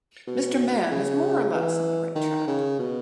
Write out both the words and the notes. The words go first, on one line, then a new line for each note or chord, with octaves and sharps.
Mr. Mann is more or less on the right track.
B2
C#3
E3
D#3
C#3
B2